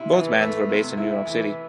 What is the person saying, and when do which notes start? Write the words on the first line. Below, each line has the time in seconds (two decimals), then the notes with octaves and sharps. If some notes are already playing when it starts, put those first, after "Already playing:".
Both bands were based in New York City.
Already playing: C3 E4
0.13 E3
0.41 A3
0.69 C3
0.97 E4
1.26 E3